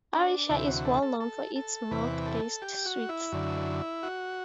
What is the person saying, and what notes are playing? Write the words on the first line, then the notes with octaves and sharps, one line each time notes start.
Odisha is well known for its milk based sweets.
D4
D2 C3 E3 E4
F#4
A4
A4
A4
A4
E2 C3 E3 B4
A4
G4
F#4
E4
F#2 D3
F#4